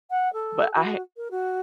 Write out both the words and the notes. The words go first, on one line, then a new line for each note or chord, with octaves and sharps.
but I ha
F#5
A4
F#4
A#4
F#4